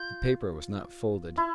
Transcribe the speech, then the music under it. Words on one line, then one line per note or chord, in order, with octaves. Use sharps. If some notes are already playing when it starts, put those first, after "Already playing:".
The paper was not folded.
Already playing: F4 G6
E4